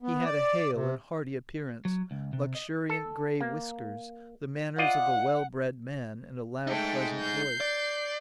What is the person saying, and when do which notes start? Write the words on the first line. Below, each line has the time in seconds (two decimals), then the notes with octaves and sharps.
He had a hale and hearty appearance, luxuriant grey whiskers, the manners of a well-bred man, and a loud, pleasant voice.
0.03 B3
0.25 D5
0.74 C3
1.85 F#3
2.11 C#2
2.33 C3
2.55 D#5
2.89 A4
3.41 A#3
4.78 F4 D5 D#5 F#5
6.67 G#3 A3 D#4 G5
7.20 G6 C7
7.61 D5